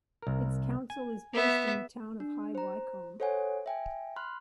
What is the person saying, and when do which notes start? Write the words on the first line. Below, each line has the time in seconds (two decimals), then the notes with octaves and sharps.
Its council is based in the town of High Wycombe.
0.22 C2 A#4
0.90 G#5
1.34 B3 E5
2.20 D4
2.55 C5 A#5
3.20 A4 C5 C#5 F#5 G#5
3.66 E5 G5 G#5
4.16 B5 C6 F6 F#6